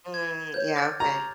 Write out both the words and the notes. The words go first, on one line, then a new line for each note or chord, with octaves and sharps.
Mm, yeah, okay.
G#6
B4 C#5 G6
D6 F6 A6
G4 G#5 A#5